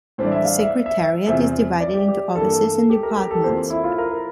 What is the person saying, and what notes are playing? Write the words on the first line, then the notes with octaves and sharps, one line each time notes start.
The Secretariat is divided into offices and departments.
A2 E3 G3 D4 C5
D5
E5
F5
E5
E5
E5
E2 C3 F3 C4 E5
D5
G4
G4
G2 E3 A#3 A4
G4
A#4
G4
A4
F2 E3 A#3 F4 C5
E4
F4
A#4